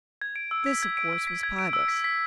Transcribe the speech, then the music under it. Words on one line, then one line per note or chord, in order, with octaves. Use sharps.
This, of course, was Pybus.
G#6
D7
E6
B6
G#6
D7
E6
B6
G#6
D7
E6
B6
B6